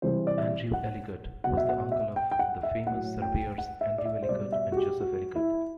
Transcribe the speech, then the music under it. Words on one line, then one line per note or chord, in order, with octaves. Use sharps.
Andrew Ellicott was the uncle of the famous surveyors Andrew Ellicott and Joseph Ellicott.
C3 E3 G3 C5
D5
E5
F#5
B2 F#3 F#5
E5
F#5
E5
G5
G5
F#5
E5
A2 F#3 F#5
G5
F#5
E5
D5
E5
C5
B2 G3 D5
E5
F#4
G4
F#4
E4